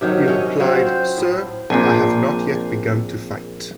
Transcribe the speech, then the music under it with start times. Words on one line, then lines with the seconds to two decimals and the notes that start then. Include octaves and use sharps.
He replied, Sir, I have not yet begun to fight!
0.01 C3 D#3 F#3 C#4
0.27 C3 C#4 C#5 D#5
0.60 F#3 C4 C#4 F4
0.86 C5
1.18 A2
1.70 A#1 A#2 C4 G#4